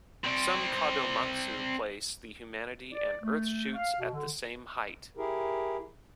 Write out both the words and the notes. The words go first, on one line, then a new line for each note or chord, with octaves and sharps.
Some "kadomatsu" place the humanity and earth shoots at the same height.
C4 D5
D5
A3
F5
B2
D3
E4 G4 G#4 A#4